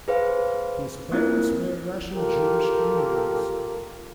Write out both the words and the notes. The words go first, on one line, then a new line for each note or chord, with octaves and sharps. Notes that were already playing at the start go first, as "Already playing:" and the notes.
His parents were Russian Jewish immigrants.
G#4 B4 C5 F5
A#3 C4 D4 E4 F4 A#4
F4 G4 A4 A#4